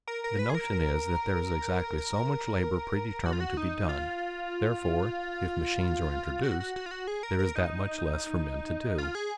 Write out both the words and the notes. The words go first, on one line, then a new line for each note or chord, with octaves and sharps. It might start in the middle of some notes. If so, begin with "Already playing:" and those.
The notion is that there is exactly so much labor predetermined to be done; therefore, if machines are introduced, there is that much less for men to do.
A#4
A#4
B4
G#4
A#4
A#4
F#4
F4
F#4
D#4
F4
F#4
F#4
F#4
F4
F#4
G#4
A#4
A#4
D#4
F4
G#4